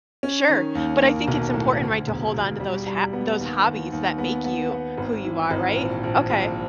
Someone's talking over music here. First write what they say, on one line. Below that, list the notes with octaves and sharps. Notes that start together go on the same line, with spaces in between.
Sure, but I think it's important, right, to hold on to those ha those hobbies that make you who you are, right? Okay.
C#4
D#3
D#2
A#3
B1
A2
D2
E1
E1
G3
G3
B3
D#2
D#2
D#2
B3
B3
B3
G#1
E3
G#1
A#1
A#1
A#1